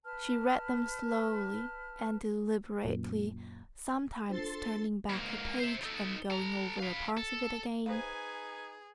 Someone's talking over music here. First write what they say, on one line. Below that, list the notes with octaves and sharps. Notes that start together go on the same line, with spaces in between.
She read them slowly and deliberately, sometimes turning back a page and going over a part of it again.
B4 A5 F6
F#2 A#2
D4 F4 A4 C5 C6 A6
G#2 A#3
C5 E5
D#4 A4
A4 A#5
B4 F5
A4
D#4 G#4 B4 C5 F5 G#5